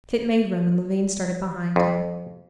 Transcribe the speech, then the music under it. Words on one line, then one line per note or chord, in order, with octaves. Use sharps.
Tit made room, and Levin started behind him.
F2